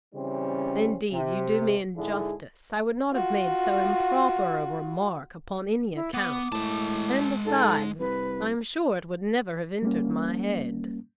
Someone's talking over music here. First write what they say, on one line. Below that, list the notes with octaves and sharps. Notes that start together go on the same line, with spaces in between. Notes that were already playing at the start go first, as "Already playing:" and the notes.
"Indeed you do me injustice; I would not have made so improper a remark upon any account; and besides, I am sure it would never have entered my head."
C#3 E3 G3 C4 C#4
C3
G#2 D3 E4 G#4
F4 F#4
E4
B3 D6
A2 G#3 A5
G#2 A4
C2 B4
G3 A#3 C#4